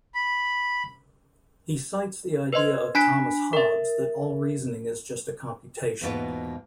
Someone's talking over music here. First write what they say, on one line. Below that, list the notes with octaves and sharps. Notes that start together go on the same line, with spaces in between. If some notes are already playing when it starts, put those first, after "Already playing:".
He cites the idea of Thomas Hobbes that all reasoning is just a computation.
B5
B4 C5 D#5 C6
D4 G#5 B5 F#6 B6 D7
A#4 E5
E2 G#2 B2 A#3 F4 B4